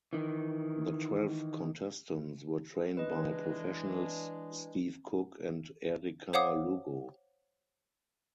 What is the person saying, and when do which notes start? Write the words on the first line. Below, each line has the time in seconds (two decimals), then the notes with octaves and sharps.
The twelve contestants were trained by professionals Steve Cook and Erica Lugo.
0.13 D#3 E3
2.97 E3 G#3 D4 B4 D#5
6.33 C5 C#5 F5 F#5 D6 D#6